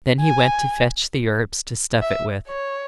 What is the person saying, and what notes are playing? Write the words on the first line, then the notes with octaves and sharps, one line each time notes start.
Then he went to fetch the herbs to stuff it with.
G#5
E5
C#5